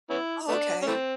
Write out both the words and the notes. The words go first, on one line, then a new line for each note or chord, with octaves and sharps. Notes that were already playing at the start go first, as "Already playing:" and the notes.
Oh, okay.
B3 C#4 E4
A3 B3 D4
C#4
E3 A3 C4